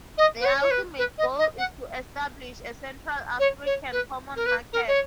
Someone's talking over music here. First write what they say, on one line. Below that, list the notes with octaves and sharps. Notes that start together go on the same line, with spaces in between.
The ultimate goal is to establish a Central African Common Market.
D#5
B4
C#5
C#5
B4
B4
D#5
D#5
F#5
C#5
C#5
B4
A#4
B4
A#4
C#5